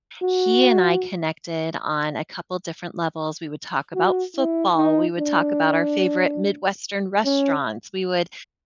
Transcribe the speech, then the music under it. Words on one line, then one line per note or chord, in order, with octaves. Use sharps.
He and I connected on a couple different levels, we would talk about football, we would talk about our favorite Midwestern restaurants, we would
F#4
F#4
E4
D#4
D4
C#4